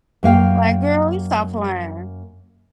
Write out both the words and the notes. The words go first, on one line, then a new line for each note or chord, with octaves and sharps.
Like, "Girl, you stop playing."
F#2 A#3 F5 G5